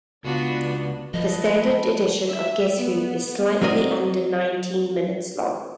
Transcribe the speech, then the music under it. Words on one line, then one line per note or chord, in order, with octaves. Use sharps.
The standard edition of "Guess Who" is slightly under nineteen minutes long.
C#2 B3 D4 F4 F#4 D5
F3 F#3 A4 B4 D#5
E5
B3
F#3 C4 A#4 D5 D#5